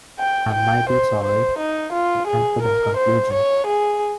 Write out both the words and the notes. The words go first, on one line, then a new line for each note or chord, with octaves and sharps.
"I'm mighty sorry," he answered in confusion.
G5
G5
C5
C5
D#4
F4
G#4
A#4
C5
C#5
G#4